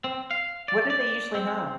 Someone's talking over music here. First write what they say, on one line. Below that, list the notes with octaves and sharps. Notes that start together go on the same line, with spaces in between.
What do they usually have?
C4
F5
D5
D5
C4